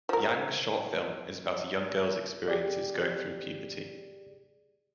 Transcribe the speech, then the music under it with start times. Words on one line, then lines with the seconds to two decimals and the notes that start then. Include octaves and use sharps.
Yang's short film is about a young girl's experiences going through puberty.
0.09 F3 A#4
2.48 G4 G#4 D5